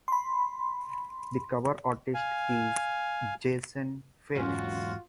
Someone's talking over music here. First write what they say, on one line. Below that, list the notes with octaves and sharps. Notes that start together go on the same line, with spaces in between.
The cover artist is Jason Felix.
B5 C6
F5 G#5
E2 G#2 C#4 F4 F#4